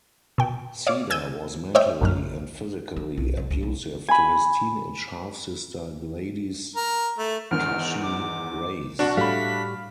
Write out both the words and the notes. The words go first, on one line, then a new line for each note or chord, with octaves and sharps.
Seda was mentally and physically abusive to his teenage half-sister, Gladys "Chachi" Reyes.
B2 G5
C#5 D5 F5 D6
G#5 E6 G6 G#6 D#7
C5 C#5 D#5 E5 G5
A#1 F#2 F6
A#3
B1
C2
C#2
B1
G#5 B5
A#4
A3
E2 G#2 D#3 F6
D6
C2 D4 F#4 C#6
A2 G3 A3 F5 B5 B6